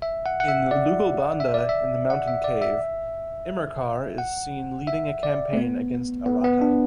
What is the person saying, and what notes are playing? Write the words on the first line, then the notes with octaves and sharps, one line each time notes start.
In "Lugalbanda in the Mountain Cave", Enmerkar is seen leading a campaign against Aratta.
E5
F#5
F#5
E5
D5
E5
D5
E5
F#5
E5
D5
E5
F#5
E5
D5
A3
B3
B3
B3
D4